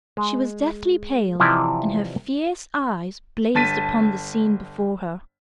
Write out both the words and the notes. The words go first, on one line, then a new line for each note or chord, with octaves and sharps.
She was deathly pale, and her fierce eyes blazed upon the scene before her.
G#3
C3 E3 F3 D#4 E4 D5
G1 A5 A6 B6 D#7